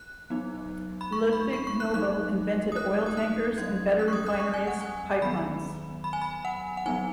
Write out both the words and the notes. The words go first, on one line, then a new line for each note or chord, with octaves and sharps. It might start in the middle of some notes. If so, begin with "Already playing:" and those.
Ludvig Nobel invented oil tankers, and better refineries, pipelines.
Already playing: F#6
F#3 B3 D#4
B5
C#6
B5
C#6
C#6
F#6
F#3 D#4 F#6
D#6
F#6
D#6
F#6
F#3 C#4 G#6
F#6
C#6
D#6
F#6
C#6
G#5
F#5
G#5
D#3 F#3 B3 B5
B5
G#5
B5
F#5
F#5
F#3 B3 D#4 G#5